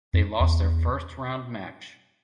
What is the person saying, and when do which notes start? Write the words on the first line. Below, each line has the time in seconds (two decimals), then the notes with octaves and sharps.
They lost their first round match.
0.14 F2
0.40 E2